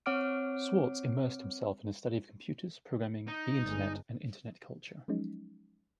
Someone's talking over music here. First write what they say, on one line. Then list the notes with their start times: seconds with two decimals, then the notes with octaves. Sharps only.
Swartz immersed himself in the study of computers, programming, the Internet, and Internet culture.
0.06 C4 C#5 F#5 D6 F6 D7
3.28 D#4
3.64 G1 G#3
5.08 F3 F#3 G#3 C#4 D#4